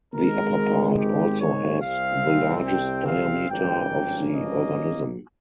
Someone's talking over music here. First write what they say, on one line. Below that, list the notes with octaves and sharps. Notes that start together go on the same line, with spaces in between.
The upper part also has the largest diameter of the organism.
G#1 G#2 D#3 G#3 A#4
G4
C#5
C2 C3 G3 C4 F5
G5
F5
G#1 G2 F3 A#3 C#4 G5
D#5